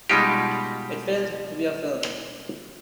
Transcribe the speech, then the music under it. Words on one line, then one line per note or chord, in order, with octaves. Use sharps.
It failed to be a film.
B2 G3 G#3 D#4 F4 G4